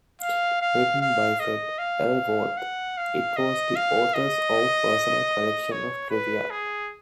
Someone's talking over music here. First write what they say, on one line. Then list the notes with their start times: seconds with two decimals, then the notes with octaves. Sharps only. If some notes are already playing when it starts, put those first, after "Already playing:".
Written by Fred L. Worth, it was the author's own personal collection of trivia.
0.22 F5
0.62 F5
1.01 F5
1.40 D#5
1.79 F5
2.58 F#5
2.98 F5
3.37 D#5
3.76 F5
4.14 D#5
5.72 C#5
6.10 B4
6.51 G#4